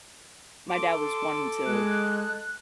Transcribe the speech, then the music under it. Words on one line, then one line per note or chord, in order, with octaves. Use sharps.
my dad was one to
A4 C6 D6
G#3 F#6